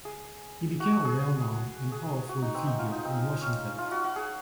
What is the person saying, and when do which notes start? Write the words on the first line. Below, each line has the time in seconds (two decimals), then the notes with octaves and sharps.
He became a well-known and powerful figure in Washington.
0.05 G#4
0.80 F#4
0.93 G#4
1.05 G#4
1.92 G#4
2.29 F#4
2.42 D#4
2.55 C4
2.67 D#4
2.79 F4
2.92 D#4
3.05 C4
3.41 C#4
3.78 F4
3.91 F#4
4.04 F#4
4.16 G#4